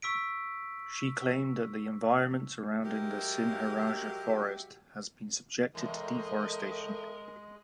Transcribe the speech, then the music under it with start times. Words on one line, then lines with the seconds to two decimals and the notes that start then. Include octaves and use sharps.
She claimed that the environment surrounding the Sinharaja forest has been subjected to deforestation.
0.02 C#6 E6 B6 D7
2.84 F#3 G#3 F#4 G4 A#4 E5
5.75 E2 A2 G#3 A#4 D#5